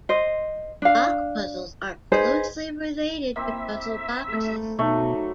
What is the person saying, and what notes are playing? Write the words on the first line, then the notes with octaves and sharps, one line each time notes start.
Lock puzzles are closely related to puzzle boxes.
C5 D#5
D4 F5
D#4 G#4 B4 C5
A#3 C4 E4 E5
A3
B2 F#3 A3 D#4